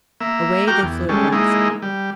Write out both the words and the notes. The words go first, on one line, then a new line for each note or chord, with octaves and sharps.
Away they flew at once.
A#3 E5
F#4 G4 A#4 G5 D6 F6
E2
G3 G#3 C#4 A4
G#3 A#3 D#4 E4
G3